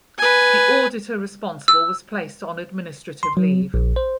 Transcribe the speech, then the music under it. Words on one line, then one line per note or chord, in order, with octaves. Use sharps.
The auditor responsible was placed on administrative leave.
B4 G#5
E6
C6
F#3
A#1
C5